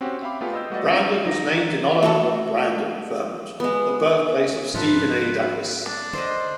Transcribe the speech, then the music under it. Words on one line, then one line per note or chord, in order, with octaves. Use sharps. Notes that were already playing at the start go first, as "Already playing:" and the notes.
Brandon was named in honor of Brandon, Vermont, the birthplace of Stephen A. Douglas.
C4 C#4 F#4 G4
E5 F5 G5 B5 D6
A3 B3 D4 F4 G4 G#4
D#5 E6 G6
G3 A3 F#4 B4 D5 D#5
F3 C4 C#4 D#4 F4
D#4
A3 F#4 A4
G#3 B3
G#2 F3 F4 A4 B4
D4
D3 C5 D5 D#5